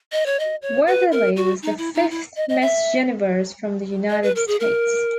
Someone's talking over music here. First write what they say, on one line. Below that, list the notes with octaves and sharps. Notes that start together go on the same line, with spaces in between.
Weatherly was the fifth Miss Universe from the United States.
D#5
C#5
D#5
C#5
B4
A#4
F#4
D#4
E4
D#4
E4
D#5
D#5
E5
D#5
B4
A#4
G#4
A#4